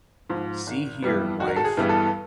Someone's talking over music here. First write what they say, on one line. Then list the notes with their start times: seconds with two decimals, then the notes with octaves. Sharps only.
See here, wife!
0.30 G#2 F3
0.67 G#1
1.03 G2 E3 G3 B3
1.40 G#1 F#4
1.48 A#4
1.56 A4
1.64 G#4
1.77 G2 E3 G3 B3
1.89 A4